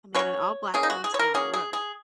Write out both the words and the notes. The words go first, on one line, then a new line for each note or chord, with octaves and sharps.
A man in all black runs down the road.
F#3 A#3 C#4 C#5
C#3 A#3 C#4 G#4
D#4
F#4
G#4
C#5
A#4
F#3 A#3 C#4 G#4
G#4
G#4